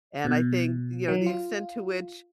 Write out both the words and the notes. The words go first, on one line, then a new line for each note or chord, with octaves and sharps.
and I think, you know, the extent to which
B2
F#3
F4